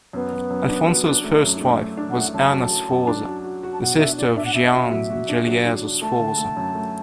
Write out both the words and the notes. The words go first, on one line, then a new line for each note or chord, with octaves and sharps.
Alfonso's first wife was Anna Sforza, the sister of Gian Galeazzo Sforza.
F#2 B3
F#2
F#2
D4
F#3
D4
A3
F#2
E4
A3 D4
A3
D4
F#5
A3
F#2 A5
F#3
F#3
F#2
D4
F#4
F#4
F#4
A5
B2 F#5
D4 E5
D4 D5
D4 E5
F#5
B2 E5
F#4
F#3
F#4
D4
F#3
D4
D4
A3 A5
D3
A3
F#2
A3